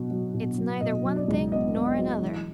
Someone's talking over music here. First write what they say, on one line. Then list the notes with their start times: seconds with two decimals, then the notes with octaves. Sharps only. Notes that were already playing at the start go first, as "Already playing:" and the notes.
It's neither one thing nor another.
Already playing: B2 F#3
0.11 F#3
0.34 B2
0.58 F#3
0.81 B2 D#5
1.05 F#3
1.16 D5
1.28 C#2
1.52 B3 D#5
1.75 B3
1.87 D#5
1.98 F#3
2.22 E3